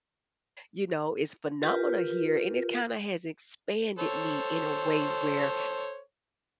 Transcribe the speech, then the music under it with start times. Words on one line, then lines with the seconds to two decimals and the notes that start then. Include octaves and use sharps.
you know, "it's phenomenal here." And it kinda has expanded me in a way where
1.63 F4 G4 A#4 B4
3.99 A4 C5 C#5